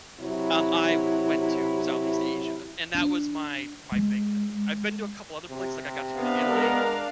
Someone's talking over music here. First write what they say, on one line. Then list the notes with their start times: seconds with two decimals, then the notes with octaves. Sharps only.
um, I went to Southeast Asia, and that was my my big thing. I've been to a couple of other places, like, I got to go to Italy
0.21 C3 F#3 E4
2.95 D4
3.92 G#3
5.50 C3
6.13 B3 D4 F5
6.49 G#3 A#4